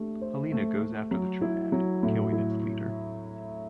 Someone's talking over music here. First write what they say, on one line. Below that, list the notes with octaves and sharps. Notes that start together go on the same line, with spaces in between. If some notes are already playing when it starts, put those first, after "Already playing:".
Helena goes after the Triad, killing its leader.
Already playing: A3 D4 G4
C5
A3
A3
F#3
E4
F#3
A2
E4